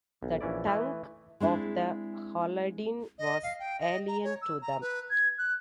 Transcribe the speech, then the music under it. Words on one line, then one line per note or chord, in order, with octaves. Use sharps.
The tongue of the Haladin was alien to them.
B1
A#1 E3 C#4 E4 D5
E3 A3 E4 B4 D#5
G#3 C4 D4 E4
D#5
F5
G5
D#5
A#5
C#5
E6
A#5
B4
G#6
F#6